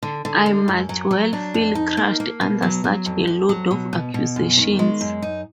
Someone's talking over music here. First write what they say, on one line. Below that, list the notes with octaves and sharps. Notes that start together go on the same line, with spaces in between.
I might well feel crushed under such a load of accusations.
D3
D3
G#3
F#2
F#3
F#3
D4
F2
D#4
A#3
A#3
B2
F#3
F#3
F2
F2
F#3
B2
B2
B2
F#2
D#3
G#3
F#2
D#4